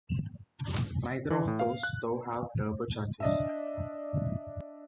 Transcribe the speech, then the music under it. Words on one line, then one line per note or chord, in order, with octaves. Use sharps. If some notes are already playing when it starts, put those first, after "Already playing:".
Neither of those, though, have turbochargers.
E3
A2
F5
F#6
D4 D#5 E5